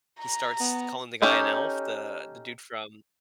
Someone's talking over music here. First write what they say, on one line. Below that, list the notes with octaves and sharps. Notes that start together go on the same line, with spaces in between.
he starts calling the guy an elf, the the dude from
A#5
B3
C#4 D#4 G4 A4